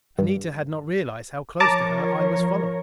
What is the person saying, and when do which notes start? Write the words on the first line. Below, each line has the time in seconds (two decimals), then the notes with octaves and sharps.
Anita had not realized how close to her I was following.
0.19 G2
1.60 F3 A#4 C#5 A5 A#5 D6